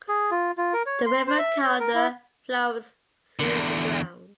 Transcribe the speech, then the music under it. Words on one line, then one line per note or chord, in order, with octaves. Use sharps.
The River Calder flows through the grounds.
G#4
F4
F4
A#4
C#5
C6
C5
E5
C#5
A#4
E4
E2 D3